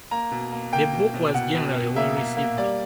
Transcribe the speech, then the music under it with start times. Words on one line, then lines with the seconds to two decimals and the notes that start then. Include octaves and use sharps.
The book was generally well received.
0.11 A#3 A#5
0.31 B2
0.52 A#3
0.72 A#3 G5
0.93 B2
1.14 B2
1.34 B2 F#5
1.55 B2
1.76 B2
1.96 A#3 E5
2.17 A#3
2.37 A#3
2.58 G3 D5